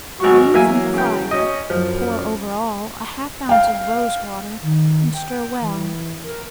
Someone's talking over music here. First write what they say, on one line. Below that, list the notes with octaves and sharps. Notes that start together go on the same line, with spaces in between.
Remove from the fire, pour over all a half ounce of rose water and stir well.
G#1 F#3 B3 F#4 C#6
E2 F#3 A#3 E5 G#5
C#3 G5
C#4 D#5
F#2 F3
F5 G5
D#3
G5
E3
A#4